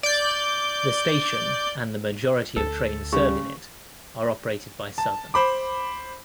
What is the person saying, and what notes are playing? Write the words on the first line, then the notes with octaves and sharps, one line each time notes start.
The station and the majority of trains serving it are operated by Southern.
D5 G6
D2 A4
C#3 G3 C#6
A5
C5 B5 D6